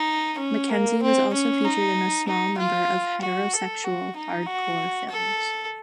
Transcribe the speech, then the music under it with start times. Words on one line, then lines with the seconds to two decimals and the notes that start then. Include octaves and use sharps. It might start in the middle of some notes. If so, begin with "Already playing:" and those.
McKenzie has also featured in a small number of heterosexual hardcore films.
Already playing: D#4
0.39 C#4
0.70 A#3
1.02 C4
1.33 C#4
1.65 D#4
2.27 D#4
2.58 F4
3.22 F#4
3.53 A4
3.84 F#4
4.16 D#4
4.46 F#4
5.10 A4